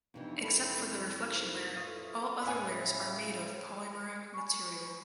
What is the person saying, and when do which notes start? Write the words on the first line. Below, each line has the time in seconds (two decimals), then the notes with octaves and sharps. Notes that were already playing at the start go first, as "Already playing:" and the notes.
Except for the reflection layer all other layers are made of polymeric material.
0.14 F2 C3 E3 B3 D4 D#4
0.43 A4 E5 B5 C6
0.72 C4
1.27 D#4 A#4 C5
1.76 F4 A4 B4 E5 F5 C6 C#6 D#6
2.43 A2 C#3 E4 G#5 B5
4.34 G#5 B5 C#6